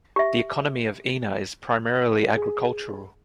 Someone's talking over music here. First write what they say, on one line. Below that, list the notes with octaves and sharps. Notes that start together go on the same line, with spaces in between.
The economy of Ina is primarily agricultural.
G4 E5
G#4